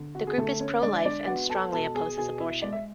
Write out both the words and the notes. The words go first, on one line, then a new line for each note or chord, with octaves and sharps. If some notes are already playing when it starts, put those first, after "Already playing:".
The group is pro-life and strongly opposes abortion.
Already playing: D3
F#4
G#4
D3 A3 A4
C#4 C#5
G#3 D4 D5
D4 D5
B3 F#4 F#5
A4 A5
B2 A4 A5
G#4 G#5
B2 G#4 G#5
E4 E5
G#3 D5
E5